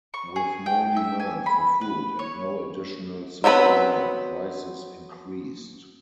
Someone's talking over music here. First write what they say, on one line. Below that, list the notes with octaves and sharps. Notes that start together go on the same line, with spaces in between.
With more demand for food and no additional supply, prices increased.
C#6
G#4
G5
E5
G#5
B5
B4
C#5
F#3 B3 C4 A#4 B4